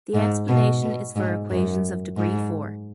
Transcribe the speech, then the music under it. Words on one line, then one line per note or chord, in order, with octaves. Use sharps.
The explanation is for equations of degree four.
G#2
B2
B2
G#2
F#2
G#2